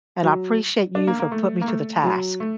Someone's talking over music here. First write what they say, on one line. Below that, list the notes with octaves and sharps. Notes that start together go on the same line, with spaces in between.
and I appreciate you for putting me to the task.
F#3
D4
A#3
A#3
A3
A#3
A3
F#3
A3